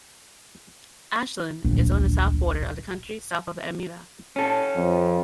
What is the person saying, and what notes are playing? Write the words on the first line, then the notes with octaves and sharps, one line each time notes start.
Ashland is on the south border of the county, south of Elmira.
D1 A#1
C#4 A4
F2